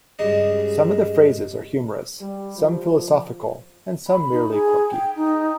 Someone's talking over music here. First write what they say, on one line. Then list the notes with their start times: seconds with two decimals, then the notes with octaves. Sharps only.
Some of the phrases are humorous, some philosophical, and some merely quirky.
0.19 G2 C#3 G#3 D#5
2.21 G3
2.57 F3
4.07 B5
4.31 D#4
4.50 G#4
4.91 G5
5.16 D#4